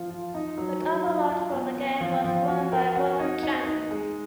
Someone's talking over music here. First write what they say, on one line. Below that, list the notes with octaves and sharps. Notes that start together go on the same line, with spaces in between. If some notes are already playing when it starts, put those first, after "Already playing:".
The cover art for the game was drawn by Warren Chang.
Already playing: F3 F4
F4
D#4
F#3
F#3
F4
F4
B3
B3
F3
F3
F#4
A#4
F#4
D#4
D#4
D#4
G#3